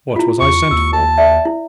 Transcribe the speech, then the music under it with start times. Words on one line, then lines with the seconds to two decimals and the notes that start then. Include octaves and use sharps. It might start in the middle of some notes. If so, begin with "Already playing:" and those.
"What was I sent for?"
0.16 E4 F4
0.41 E2 C#6
0.71 D#2 E6
0.93 A5
1.18 D5 E5
1.45 E4